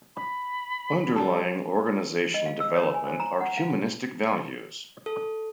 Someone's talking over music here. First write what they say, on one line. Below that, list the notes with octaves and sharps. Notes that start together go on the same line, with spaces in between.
Underlying Organization Development are humanistic values.
B5
G3 A4
D#5
F5
E6
C#5
G#5
C5
A#5
F#5
F5
A4